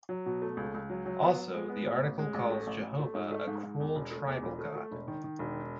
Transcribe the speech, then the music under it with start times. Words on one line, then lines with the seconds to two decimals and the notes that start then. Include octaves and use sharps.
Also the article calls "Jehovah" a cruel tribal God.
0.09 F#3
0.26 B2
0.42 A3
0.57 C#2
0.74 C#2
0.90 F#3
1.05 F#3
1.23 B3
1.39 B3
1.54 G#3
1.70 B3
1.87 A1
2.03 A1
2.19 G#3
2.34 A1
2.50 A3
2.67 A1
2.83 A1
2.99 A3
3.15 G#2
3.32 A3
3.47 G#2
3.63 G#2
3.80 E2
3.95 E1
4.11 A3
4.27 E2
4.43 E1
4.59 A3
4.76 A3
4.91 E1
5.08 D#3
5.24 D#3
5.39 E1